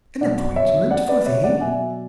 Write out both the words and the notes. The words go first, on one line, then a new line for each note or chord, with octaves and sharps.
"An appointment? for thee!"
B2 F#3 D5 F#5
C#5 E5
D5 F#5
B4 D5
C#5 E5
D5 F#5
B2 F#3 E5 G#5